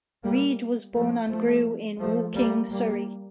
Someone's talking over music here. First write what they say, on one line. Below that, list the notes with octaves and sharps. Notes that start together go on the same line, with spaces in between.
Reed was born and grew in Woking, Surrey.
G3 A#3
F3 A3
F3 A3
F3 A3
G3 A#3
G3 A#3